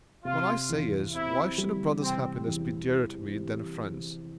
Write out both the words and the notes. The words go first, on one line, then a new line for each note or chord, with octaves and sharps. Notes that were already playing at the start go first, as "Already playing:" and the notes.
What I say is, why should a brother's happiness be dearer to me than a friend's?
C3 F4
E2
C4 E4
G3
C3 C4
E2